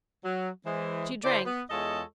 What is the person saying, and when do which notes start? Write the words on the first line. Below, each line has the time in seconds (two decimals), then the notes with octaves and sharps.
She drank.
0.24 F#3
0.65 E3 G#3 C5
1.24 D3 E4 G4 A4 C5 D5
1.45 B3
1.70 E2 G#3 F4 A4 C#5 D#5